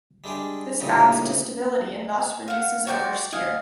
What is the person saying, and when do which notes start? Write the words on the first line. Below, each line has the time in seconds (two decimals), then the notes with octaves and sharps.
This adds to stability and thus, reduces oversteer.
0.24 G3 G#3 D4 G#4 D5
0.80 A1 G2 A#2 C#3 D#4 G4
2.48 F5 F#5
2.87 F#4 G4 C5 D5
3.32 D#5 F5 F#5 G#5